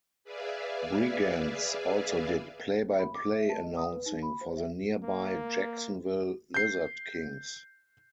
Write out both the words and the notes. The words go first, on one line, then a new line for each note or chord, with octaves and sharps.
Brigance also did play-by-play announcing for the nearby Jacksonville Lizard Kings.
G#4 B4 D5 E5 F5 G#5
B5
D6
E5
A5
D#5
D#6
B4
D#4
B5
C5
E5
A#3
G6 C7